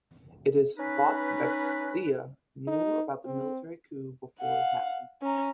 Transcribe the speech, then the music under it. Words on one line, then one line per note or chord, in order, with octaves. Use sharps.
It is thought that Zia knew about the military coup before it happened.
C#4 D#4 B4
D#4
C4
F5 F#5
C#4 A#5